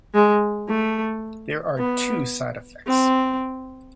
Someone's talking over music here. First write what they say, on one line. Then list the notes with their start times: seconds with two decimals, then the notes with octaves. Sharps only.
There are two side effects.
0.14 G#3
0.69 A3
1.78 B3
2.87 C4